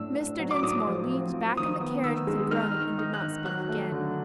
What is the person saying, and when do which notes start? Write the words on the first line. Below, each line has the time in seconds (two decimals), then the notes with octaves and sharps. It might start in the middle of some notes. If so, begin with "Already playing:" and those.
Mr. Dinsmore leaned back in the carriage with a groan and did not speak again.
Already playing: A2 D4 E6
0.16 D4
0.39 F#3
0.51 D6
0.63 A2 D#6
0.87 F3
1.10 C4
1.34 F3
1.57 D#3 D#6
1.80 B3
2.04 D#3 E6
2.27 G#3
2.51 D#4 F6
2.75 D#3
2.98 D#4
3.14 F#6
3.22 D#3
3.45 F#3 F#6
3.69 A3
3.92 D3